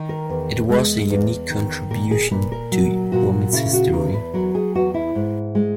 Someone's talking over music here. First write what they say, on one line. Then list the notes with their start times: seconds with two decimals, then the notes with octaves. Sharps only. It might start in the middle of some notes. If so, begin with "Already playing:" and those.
It was a unique contribution to women's history.
Already playing: D#3
0.09 A#4
0.29 E2
0.70 G#3
1.10 E2
1.50 D#3
1.91 A#2 A#4
2.11 G#4
2.31 A#2 B4
2.52 A#4
2.72 F#3
3.12 A#2 F#4
3.53 C#3 E4
3.73 F#4
3.93 E2 A#4
4.14 B4
4.34 F#3 A#4
4.55 G#4
4.75 E2 F#4
4.94 E4
5.15 G#2
5.55 G#3